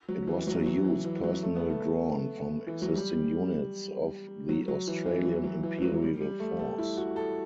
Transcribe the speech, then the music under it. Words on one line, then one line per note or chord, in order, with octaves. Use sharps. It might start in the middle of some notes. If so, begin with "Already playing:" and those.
It was to use personnel drawn from existing units of the Australian Imperial Force.
F#3
E3
F#3
F#3
E3
E3
F#3
A3
B3
A3
E3
F#3
G3
F#3
F#3
E3
E3
F#3
F#3
E3
E3
F#3
F#3
G3
G3
A3
A3
E4
F#4
A4